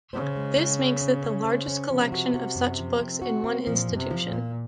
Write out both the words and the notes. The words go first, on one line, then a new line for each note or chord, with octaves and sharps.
This makes it the largest collection of such books in one institution.
C#3 C5
G#3
C#4
C#4
C#4
C#4
C5
C#4
C3 F3
F#4
F#4
F#2
F3
C4
F#4
C4
A#2 F3
F#2
C3
F3
A#2
A#3